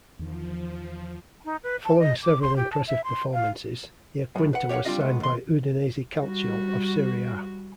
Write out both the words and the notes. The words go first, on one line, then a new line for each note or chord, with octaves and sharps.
Following several impressive performances, Iaquinta was signed by Udinese Calcio of Serie A.
E2 D#3 F3
D#4
B4
A5
D#5
D6
C6
G4
A5
E5
C6
F5
F#2 A2
B4 F#5
G4 C#5 D5 F5 F#5
G3 C4 D4 F4 D#5 F5
A2 G#3 B3
D#2 C6
G3 F#4